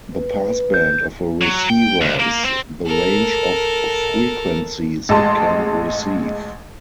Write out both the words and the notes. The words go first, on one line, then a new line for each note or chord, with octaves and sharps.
The passband of a receiver is the range of frequencies it can receive.
B4
G6
F#3
G5
C#2
A#3
C4
A4 A#4
A1 G#3 A5 C6